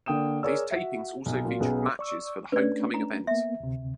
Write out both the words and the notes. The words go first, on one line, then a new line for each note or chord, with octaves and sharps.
These tapings also featured matches for the Homecoming event.
D3 A#3 G5 D#6 E7
G#4 A#4 C#5 D5 E6
F#4 E5
B1
A#2 F#3 F4
B1 B3 C#4 G#4
D5 C#6 E6
A3 C#4 D4 B4 D5
A#5
A#3 B3 E5
D2 C3